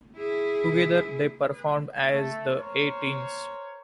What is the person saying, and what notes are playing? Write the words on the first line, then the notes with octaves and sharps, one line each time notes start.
Together they performed as the A-Teens.
E4 G#4
A3
A#4 C5 C#5